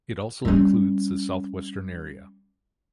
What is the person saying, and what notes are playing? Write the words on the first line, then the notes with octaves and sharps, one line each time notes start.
It also includes the southwestern area.
G3 C#4